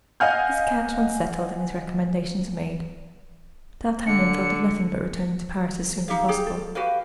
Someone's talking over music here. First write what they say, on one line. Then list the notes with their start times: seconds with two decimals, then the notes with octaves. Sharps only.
His accounts once settled, and his recommendations made, D'Artagnan thought of nothing but returning to Paris as soon as possible.
0.20 D#5 F5 F#5 G#5 F6 G6
4.07 D3 C#7
6.08 D#4 G4 E5 F5
6.28 G4 G#4
6.46 A4
6.75 F#4 G4 B4 F5